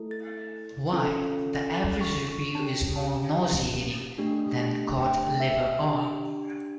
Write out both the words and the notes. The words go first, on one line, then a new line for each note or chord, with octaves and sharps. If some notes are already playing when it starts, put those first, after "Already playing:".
Why, the average review is more nauseating than cod liver oil.
Already playing: A3 E4 A4
A6
C#4 F4 A4
A6
C#6
C#6
C#4 G4 A5
A5
A3 D4 G4
G5
E5
D4 G4